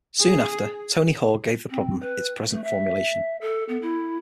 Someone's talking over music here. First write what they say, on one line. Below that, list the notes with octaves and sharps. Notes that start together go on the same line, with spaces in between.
Soon after, Tony Hoare gave the problem its present formulation.
G#4
C4
B4
A3
E5
A4
B3
E4